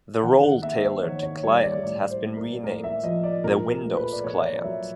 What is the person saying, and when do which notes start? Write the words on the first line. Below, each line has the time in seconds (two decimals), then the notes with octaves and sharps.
The RoleTailored Client has been renamed the Windows Client.
0.22 D#3 F#5
0.43 F#5
0.62 A#3 E5
0.83 C5
1.03 D#3 C#5
1.23 C#5
1.43 G3 C#5
1.63 D5
1.83 A2 D5
2.10 C5
2.23 A#3
2.37 A#4
2.63 A2 A#4
2.84 E5
3.03 F3 D#5
3.24 D5
3.44 A#2 A#4
3.70 A#4
3.84 A3
3.97 B4
4.12 D5
4.24 A#2 C#5
4.44 D5
4.64 F#3 E5